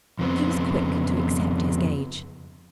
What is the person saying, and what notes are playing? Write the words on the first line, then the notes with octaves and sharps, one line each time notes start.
She was quick to accept his gage.
F2 C#3 B3 C4